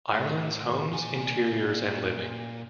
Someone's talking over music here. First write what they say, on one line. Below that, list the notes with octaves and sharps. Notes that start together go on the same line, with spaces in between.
Ireland's Homes Interiors and Living.
A2
A#2 G#5